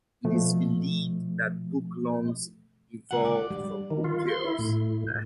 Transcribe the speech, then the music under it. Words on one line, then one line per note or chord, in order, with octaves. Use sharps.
It is believed that book lungs evolved from book gills.
B2 F3 A3
C#2 C#3 F#5
D5
G3
D#3
F4
C6
E4
A2